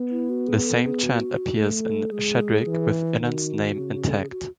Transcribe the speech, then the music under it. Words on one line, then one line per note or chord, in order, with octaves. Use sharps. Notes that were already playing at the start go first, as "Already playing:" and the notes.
The same chant appears in "Shardik" with Inanna's name intact.
Already playing: B3
E4
F#4
G#4
A4
G#4
F#4
A3 A4
A4
G#3 G#4
E3
D#3 F#4
C#3
A4
G#4
F#4